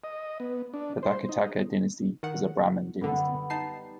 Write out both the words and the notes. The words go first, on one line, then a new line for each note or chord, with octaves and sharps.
The Vakataka dynasty was a Brahmin dynasty.
D#5
B3
D4
C5
D#4
D#3 F#5
F#2 D3 G3 B3 F#5
D#4 A5 C7